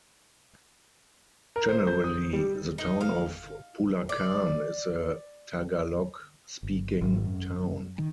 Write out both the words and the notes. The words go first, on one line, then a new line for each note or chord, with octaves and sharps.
Generally the town of Bulakan is a Tagalog speaking town.
A#4
C5
G6
D#6
G3
D#4
F5
D5
G1
G#1
F#2
D#3